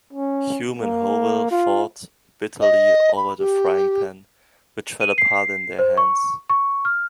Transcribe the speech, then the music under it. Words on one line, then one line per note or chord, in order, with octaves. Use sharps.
Hume and Hovell fought bitterly over the frying-pan, which fell apart in their hands.
C#4
A#3
F4
D#5
B5
G4
D#7
C7
C5
C#6
C#6
F6